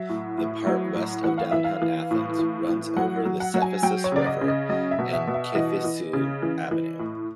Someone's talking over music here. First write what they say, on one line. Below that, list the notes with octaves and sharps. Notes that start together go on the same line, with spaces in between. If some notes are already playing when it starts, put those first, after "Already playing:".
The part west of downtown Athens runs over the Cephisus river and Kifissou Avenue.
Already playing: F#3 E5
A2
A2
F#3
A2
E3 F#5
F5
E3 E5
F5
E3
A2
E3
A2
F#3 F#5
F#3
F#5
F#3
G#5
F#3 G5
C#5
C#3 D5
D#5
C#3
D#5
F#3 D#5
E5
B2
E5
B2
E5
E3 D#5
E3
C#3
E3
E3
A2